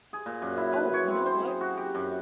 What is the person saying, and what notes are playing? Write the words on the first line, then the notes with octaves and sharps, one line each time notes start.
Oh, you know what?
G#4
A#2
F#2
E4
B4
C#5
C4
C5
G#4
F#4
G4
F#2